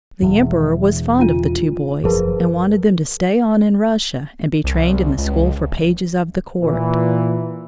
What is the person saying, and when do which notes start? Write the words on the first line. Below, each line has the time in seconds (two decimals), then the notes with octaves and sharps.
The emperor was fond of the two boys and wanted them to stay on in Russia and be trained in the school for pages of the Court.
0.22 E1 E2
1.18 D4 F4 D#7
2.04 F#1 F3 G#4 A#4 B4
4.64 C2
5.18 C#2
6.60 A#2 E3